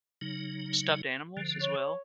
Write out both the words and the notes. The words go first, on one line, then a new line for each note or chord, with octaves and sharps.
stuffed animals as well.
C#3 F#3 D#4
D3 F3
C#5